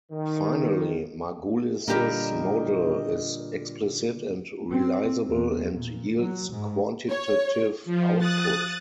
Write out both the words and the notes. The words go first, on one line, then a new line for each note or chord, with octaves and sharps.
Finally, Margulis's model is explicit and realizable, and yields quantitative output.
D#3
A#2 D3 G3 A#3 G4 A#4 D#5
C4
E2
A#2
F#3
G#2
C#5
F3
D#6 F#6 A6